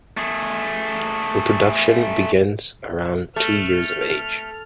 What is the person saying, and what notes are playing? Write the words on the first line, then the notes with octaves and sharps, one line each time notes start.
Reproduction begins around two years of age.
A3 G#4
A3 F6